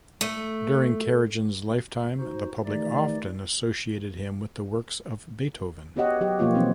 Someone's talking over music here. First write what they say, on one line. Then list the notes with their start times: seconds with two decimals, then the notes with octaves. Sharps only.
During Karajan's lifetime, the public often associated him with the works of Beethoven.
0.21 A3
2.19 D#4 F#4 C5
2.65 D#3 E3 A3 D#4 G4 D5
5.96 B3 F#4 G4 C#5 D#5 F#5
6.21 F#3 G4
6.39 B2 F3 A#3 B3 F4 C#5
6.54 E3 F#3 G3 C4 D#4